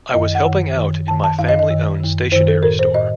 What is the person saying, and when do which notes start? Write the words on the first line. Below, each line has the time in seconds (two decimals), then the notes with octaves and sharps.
I was helping out in my family owned stationery store.
0.14 F#2 D#3 D#5
0.35 F#5
0.46 F#2 D#3
0.77 F#2 D#3
1.07 F#2 D#3 A5
1.24 A5
1.39 F#2 D#3 F5
1.49 D#5
1.59 D#5
1.70 F#2 D#3
2.00 F#2 D#3
2.32 F#2 D#3 C5
2.48 A4
2.62 A2 A#4
2.79 C5
2.94 A2 D#5